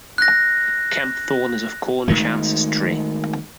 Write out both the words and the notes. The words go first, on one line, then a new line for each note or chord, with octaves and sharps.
Kempthorne is of Cornish ancestry.
F#6 A#6
D#3 G#3 A3